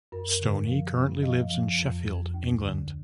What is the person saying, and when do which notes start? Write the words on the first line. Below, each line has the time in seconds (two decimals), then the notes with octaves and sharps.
Stoney currently lives in Sheffield, England.
0.12 F#2 A#4
0.30 A#4
0.40 D3
0.67 F3
0.95 F#2
1.23 F3 D#5
1.51 F3
1.79 F2
2.06 F2
2.34 D2
2.62 D3